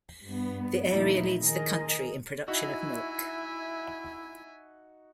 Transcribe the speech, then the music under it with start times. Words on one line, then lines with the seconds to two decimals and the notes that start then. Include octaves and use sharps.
The area leads the country in production of milk.
0.24 G2 B3
0.88 D2 A#2 F3 D#4 E4
1.41 D#3 G#4 A#4 D#5
2.48 D#4 E4 F#4 E5 G#5